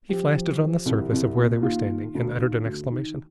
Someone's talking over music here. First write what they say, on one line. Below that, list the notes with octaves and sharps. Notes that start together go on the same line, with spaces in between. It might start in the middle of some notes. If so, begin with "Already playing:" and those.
He flashed it on the surface of where they were standing, and uttered an exclamation.
F3 G4
F3
F3
C2
C2
A#2
D#3 F4
D#3
D2
D#3
D2
D#3